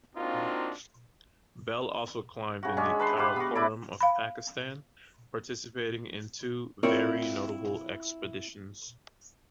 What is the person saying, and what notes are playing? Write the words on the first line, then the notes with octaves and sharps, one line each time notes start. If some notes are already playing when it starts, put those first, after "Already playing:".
Bell also climbed in the Karakoram of Pakistan, participating in two very notable expeditions.
A#3 C4 D4 D#4 F4 F#4
C#3 F#4
G#3 C#4 D4
B4 A5 C6
G4 B4 F5
B3 F#4
E4 B4 D5
F5 B5
C4 E4 F4 A#4 C#5 D5